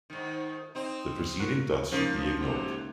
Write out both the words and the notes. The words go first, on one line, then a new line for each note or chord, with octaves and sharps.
The preceding dots should be ignored.
G#2 D#3
C4 D#4
F#4 A#4
G#2 C#3 F3 A#3
F#2 C3 F#3